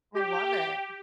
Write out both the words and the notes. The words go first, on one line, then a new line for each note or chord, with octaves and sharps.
I love it.
G4